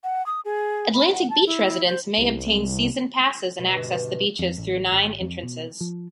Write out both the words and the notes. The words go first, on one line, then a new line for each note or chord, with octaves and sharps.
Atlantic Beach residents may obtain season passes and access the beaches through nine entrances.
F#5
D#6
G#4
B5
F#5
A5
E4
C5
C2
B2
G1
F2
A1
G#1
F2
B2
F3